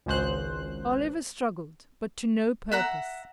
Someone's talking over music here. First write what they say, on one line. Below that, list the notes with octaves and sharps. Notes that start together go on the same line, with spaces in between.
Oliver struggled, but to no purpose.
G#1 C#2 C5 F#6
E5 F#5 A#5